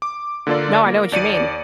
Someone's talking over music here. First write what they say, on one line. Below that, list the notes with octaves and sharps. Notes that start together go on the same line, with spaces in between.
No, I know what you mean.
D6
D3 A#3 F4 A4 D5
A#3 A#4
D#2 D5 C#7 D#7